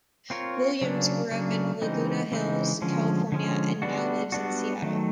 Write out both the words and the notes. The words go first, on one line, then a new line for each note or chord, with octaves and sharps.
Williams grew up in Laguna Hills, California, and now lives in Seattle.
C4 F4 A#4 C#5
C#3 F#3 A#3 D4
C#3 F#3 A#3 D4
C#3 E3 G#3 C4 D#4
C#3 E3 G#3 C4 D#4
D3 F3 G#3 C#4
D3 F3 G#3 C#4
G3 B3 D4 F#4
G3 B3 D4 F#4
D#3 F#3 A3